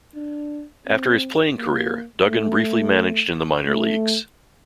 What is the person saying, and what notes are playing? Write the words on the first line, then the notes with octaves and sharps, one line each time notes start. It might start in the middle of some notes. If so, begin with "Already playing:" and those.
After his playing career, Dugan briefly managed in the minor leagues.
D4
C4
A#3
A3
A3